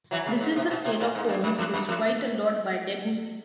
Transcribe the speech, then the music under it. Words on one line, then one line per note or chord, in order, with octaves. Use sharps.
This is the scale of tones used quite a lot by Debussy.
E3 F#3
C#3
G#2
C3
B2
C3
A#2
G#2
G2
F#2
F2
F#2
F2